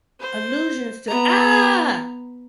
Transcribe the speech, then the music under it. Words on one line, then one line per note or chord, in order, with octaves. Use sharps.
Allusions to Ah!
C5
B3 A#5